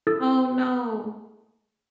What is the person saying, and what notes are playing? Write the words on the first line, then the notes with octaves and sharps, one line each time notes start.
Oh no.
E4 A4 D#6 E6 A6